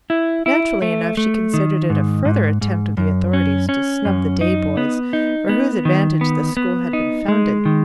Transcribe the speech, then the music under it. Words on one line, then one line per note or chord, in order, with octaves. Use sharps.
Naturally enough, she considered it a further attempt of the authorities to snub the day-boys, for whose advantage the school had been founded.
E4
E4
A3
A3
D#3
G#2
G#2
G#2
F#2
C#4
C#4
F#2
D#4
B3
D#4
B3
D#3
B3
B3
D#4
G#3
D#3